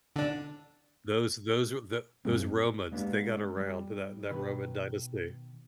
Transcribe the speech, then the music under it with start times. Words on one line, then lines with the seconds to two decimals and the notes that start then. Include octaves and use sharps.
Those those were the those Romans, they got around, that that Roman dynasty.
0.16 D3 D4
2.25 F#2 G3 C4
2.92 G#3 A#3 B3 D4 G4
3.57 G3
4.30 B2 D#3 B4